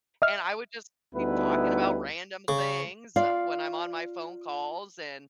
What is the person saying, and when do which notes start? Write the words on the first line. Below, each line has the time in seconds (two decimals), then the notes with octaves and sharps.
and I would just keep talking about random things when I'm on my phone calls and
0.22 D#5 E5 F6
1.15 D2 G3 B3 D#4 E4 B4
2.48 C#3
3.16 F4 D5 F5